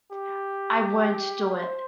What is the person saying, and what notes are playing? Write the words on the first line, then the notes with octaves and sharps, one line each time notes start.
I won't do it.
G4
C5